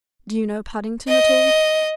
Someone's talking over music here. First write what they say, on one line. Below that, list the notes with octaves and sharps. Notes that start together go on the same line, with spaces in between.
"Do you know Paddington at all?"
D#5